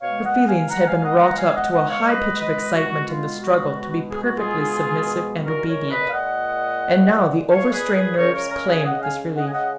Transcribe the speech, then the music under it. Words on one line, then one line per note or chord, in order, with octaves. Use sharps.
Her feelings had been wrought up to a high pitch of excitement in the struggle to be perfectly submissive and obedient, and now the overstrained nerves claimed this relief.
B2 G#3 C#5 F5
D#5 F#5
F5 G#5
F#5 A#5
F5 G#5
D#5 F#5
F#5 A#5
F5 G#5
D#5 F#5
D#5 F#5
C#5 F5
B4 D#5
B4 D#5
B2 G#3 F#4
F4
F#4
G#4
F#4
F4 G#4
A#2 G#3 F#4 A#4
A#4 C#5
B4 D#5
F5
D#5 F#5
C#5 F5
G#4 B4
G#4 B4
C#3 G#3 A#4 C#5
A#4 C#5
A#4 C#5
G#4 B4
G#5
D#5 F#5
F5 G#5
D#5 F#5
G#5
D#5 F#5